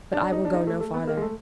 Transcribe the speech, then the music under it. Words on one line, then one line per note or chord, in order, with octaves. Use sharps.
But I will go no farther.
D4
D#4
D4
D#4
A3
A3
B3
A#3
G#3
A3